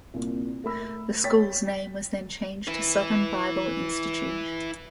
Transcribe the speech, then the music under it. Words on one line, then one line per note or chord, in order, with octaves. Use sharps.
The school's name was then changed to Southern Bible Institute.
C2 A#2
A3 A#4 B5 E6
C#5 G5 A6 B6
E4 B4